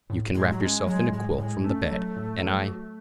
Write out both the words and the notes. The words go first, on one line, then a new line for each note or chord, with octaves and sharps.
You can wrap yourself in a quilt from the bed, and I ...
A2
A2 G#3
F#3
G#3 C#4
F#3 G#3
A2 G#3
A2 G#3
A3 C#4
F#3
A2
F#3
F#4